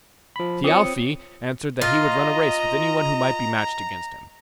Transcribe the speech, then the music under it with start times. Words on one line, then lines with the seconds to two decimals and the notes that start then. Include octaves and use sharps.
Thialfi answered that he would run a race with any one who might be matched against him.
0.36 F3 B5
0.64 C4 F4 C#5 D#6 C#7
1.81 F4 D#5 A#5